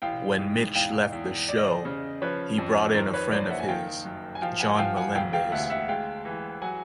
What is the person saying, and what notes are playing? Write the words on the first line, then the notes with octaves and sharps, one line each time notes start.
When Mitch left the show he brought in a friend of his, John Melendez.
A1 F5 G5
G#2
E2 F5 G5
E2
E2 D5
D#5
C5 D5
C#3
F3 B4 C#5
F2
D#3 A#4 C5
B4 C#5
F#1 C5 D5
E5 F#5
G#5
D#3 F5 G5
F#2
G#5
F3 F5 G5
F#5 G#5
F3 F5 G5
F#5 G#5
E1 F5 G5
F5 G5
D2 E5 F#5
E5 F#5
G#3 F5 G5
E3
F#3 F#5 G#5